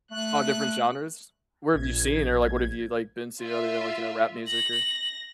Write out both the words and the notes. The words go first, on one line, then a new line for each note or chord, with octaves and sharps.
All different genres? Where have you seen or like, what have you, like, been to other than, like, you know, rap music, or
A3 F#6
A#1 G#6
F4 E5
A#6 F#7